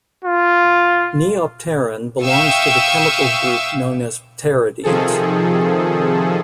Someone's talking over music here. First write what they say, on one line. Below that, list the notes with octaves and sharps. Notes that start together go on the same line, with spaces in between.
Neopterin belongs to the chemical group known as pteridines.
F4
E5 F5 G5 C#6 D#6 E6
C3 D#3 F3 G#4 A4